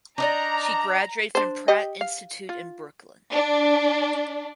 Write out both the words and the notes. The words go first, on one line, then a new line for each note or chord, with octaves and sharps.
She graduated from Pratt Institute in Brooklyn.
D4 D#4 D5 A#5
D4 C5
G4 D#5
F5
F4
D4